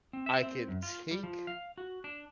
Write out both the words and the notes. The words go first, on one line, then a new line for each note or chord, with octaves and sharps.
I can take
C4
E5
C4
F#2
F4
G3
F3
F5
F#4
D4